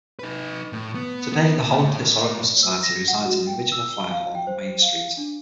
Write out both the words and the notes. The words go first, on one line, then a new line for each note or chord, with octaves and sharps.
Today the Holland Historical Society resides in the original fire hall on Main Street.
D#4 B4
A2
B3
B3
A#2
A2
E6
A#6
F#5
F#4
G5
E6
G7
F5
G5
C5
F5
D4